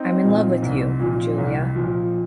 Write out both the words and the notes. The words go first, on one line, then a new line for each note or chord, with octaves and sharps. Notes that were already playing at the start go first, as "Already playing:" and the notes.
I’m in love with you, Julia.
Already playing: C4 D#4
A#2 F3
C2
A#2 F3
C2
A#2 F3